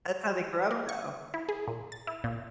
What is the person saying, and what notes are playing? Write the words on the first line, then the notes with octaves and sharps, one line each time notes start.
that's how they grew up, though.
A#3
C#6
E4
G#4
A#2
A6
E4
A#2